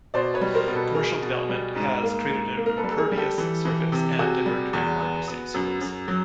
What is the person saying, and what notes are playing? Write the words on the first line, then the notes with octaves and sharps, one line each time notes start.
Commercial development has created an impervious surface and diverted rainwater to city sewers.
B2 C5 D5
B4 C#5
G3
A#4 C5
B2
A4 B4
B2 G#4 A#4
B2
G3
G#2
A#3
G#2
A#3
A#4
A4 B4
G3
A4
G#4 A#4
G3
G4 A4
E3
E3
C3
C3 F#4 G#4
G3
E2
B3
B3
F#2
F#2
F#3